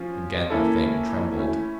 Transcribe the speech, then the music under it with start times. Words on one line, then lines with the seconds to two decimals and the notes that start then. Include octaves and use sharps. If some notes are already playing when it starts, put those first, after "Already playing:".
Again the Thing trembled.
Already playing: F3 C#4 F4
0.50 A#3 C#4 E4 A4
1.37 A3 C#4 E4